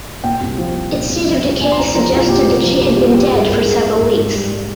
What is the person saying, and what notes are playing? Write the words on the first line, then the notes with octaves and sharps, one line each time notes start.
Its state of decay suggested that she had been dead for several weeks.
A#2 G5
C2
F3
C2
A#2
C2
F3
C2
A#2 G#5
C6
C2 A#5
F3 A#5
C2
F4
A#2 G4
C2
F3
C2
G3 F4
G3 G4
G#2 G#4
G#2 A#4
G3 G#4
G3
G#2
G#2
G3
G3